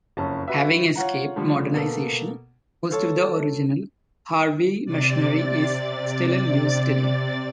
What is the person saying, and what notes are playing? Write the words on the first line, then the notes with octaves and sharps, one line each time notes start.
Having escaped modernisation, most of the original Harvey machinery is still in use today.
F#1 F2 C#4 A5
F#4 B4 E5
F4 C#5 F#5 A#5
D3 F3 G3 A3
B2 A#3 A4
F4 A4 C#5 A5
C3 D5 A6